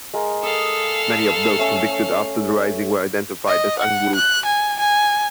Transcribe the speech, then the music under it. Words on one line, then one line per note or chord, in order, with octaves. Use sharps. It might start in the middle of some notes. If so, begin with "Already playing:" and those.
Many of those convicted after the rising were identified as "Anguru".
G#3 A#4 F5
A4 F5 D#6
A3 C#4
D#5
F#5
F#6
G#5
G#5